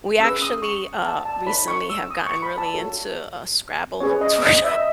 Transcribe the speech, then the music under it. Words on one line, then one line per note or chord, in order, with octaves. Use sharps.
We actually, uh, recently have gotten really into, uh, Scrabble tourna
C#4 G#4 B4 E6
D#6
C#6
A5
A5
A5
D#4 A4 C#5 B5
C#6
E6
D#6
C#6
B5
A5
F#4 A4 C#5
C#4 G#4 B4 C#5
D#5
D#5
E5
D#5